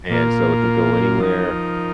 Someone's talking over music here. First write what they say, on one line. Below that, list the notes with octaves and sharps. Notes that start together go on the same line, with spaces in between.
And so, it can go anywhere
A#2 A#3 F4 A#4
F3 D#4 A#4